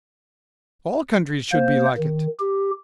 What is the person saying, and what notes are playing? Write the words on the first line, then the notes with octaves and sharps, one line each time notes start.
All countries should be like it!
A#3 C5
D#3
G4